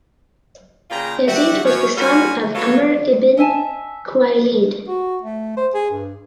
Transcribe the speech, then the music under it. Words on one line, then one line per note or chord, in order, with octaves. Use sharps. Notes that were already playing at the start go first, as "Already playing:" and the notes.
Yazid was the son of Amr ibn Khuwaylid.
A#2 C#3 F4 G#4 G5 A#5
F#4 G4 D5 E5 F#5
F#2 C#5
A#2 G3 F#4 A#4 C#5 G#5
F#3 B3 F4 A4 C#5
D#5 E5 G#5 A5
F#4
A3
C5
G#4
G2